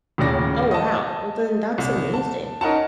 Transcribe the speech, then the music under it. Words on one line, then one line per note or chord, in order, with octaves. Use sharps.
Oh, wow. Well, then that's amazing.
D#1 D#2 A2 C#3 D5 A#6
D#5 A5
C2
A5
C#4 D#4 A#4 F#5 A5